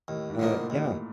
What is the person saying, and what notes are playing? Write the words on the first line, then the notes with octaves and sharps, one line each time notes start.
Uh, yeah
D#2 A2
G#2
A#2 D3 F3 A#3 D#4
A2
A#2
D#2 A2